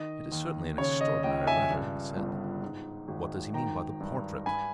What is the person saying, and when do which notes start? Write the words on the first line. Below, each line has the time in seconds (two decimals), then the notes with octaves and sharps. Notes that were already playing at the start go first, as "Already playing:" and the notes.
"It is certainly an extraordinary letter," he said, "what does he mean by the portrait?"
Already playing: D#3 D#5
0.32 D#2
0.78 C#3 C#5
1.01 D#5
1.23 C#2 D#5 G5
1.47 E5 G#5
1.70 G2
2.17 G1
2.62 G#2
3.08 G#1
3.54 D#3 G5 A#5
4.00 G2
4.46 G2 G#5 B5